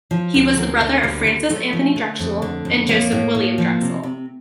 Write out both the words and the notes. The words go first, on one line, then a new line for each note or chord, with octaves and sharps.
He was the brother of Francis Anthony Drexel, and Joseph William Drexel.
F3
D2
D2 A#3
D3
D2 G3
D2
F3 A3
F3
D3
F2
D3
F2
A2 A#3
A2
A2
F3
C3
C3